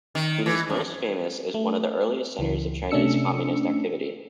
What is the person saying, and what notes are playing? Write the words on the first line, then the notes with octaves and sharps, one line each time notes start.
It is most famous as one of the earliest centers of Chinese communist activity.
D#3
E3
F#2
A3
C#2 E3
C3 A3 C#4 D4 E6 C#7